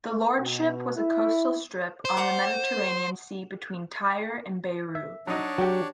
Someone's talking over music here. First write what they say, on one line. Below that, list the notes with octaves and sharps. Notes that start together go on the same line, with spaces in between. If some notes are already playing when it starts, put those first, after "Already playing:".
The lordship was a coastal strip on the Mediterranean Sea between Tyre and Beirut.
B2
E4
C5
F#5 A#5 D6
E5
F#3 D4 D#4 C#5 D5
F#3 F#4 G4